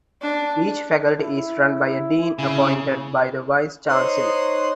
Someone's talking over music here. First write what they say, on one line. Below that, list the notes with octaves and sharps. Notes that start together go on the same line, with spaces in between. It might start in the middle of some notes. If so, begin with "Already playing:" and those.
Each faculty is run by a dean appointed by the vice chancellor.
D4
E4
C#3 E4
D#4 C5 C#5 C6 D#6 F#6